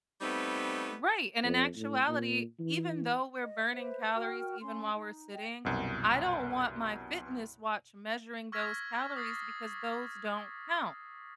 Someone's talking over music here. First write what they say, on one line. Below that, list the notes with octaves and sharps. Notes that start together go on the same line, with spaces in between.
Right. And in actuality, even though we're burning calories even while we're sitting, I don't want my fitness watch measuring those calories because those don't count.
G3 A3 B3 C4 D#4
F2
A2
A#2
E3
D#5
B4 C5 E5
F#4 A#4 G5 F6
C#4 C6
D#4
D#5 G5
C2 F#2 B2
C#6 E6 F6 G#6 A#6 B6
D6 D#6 A6 C7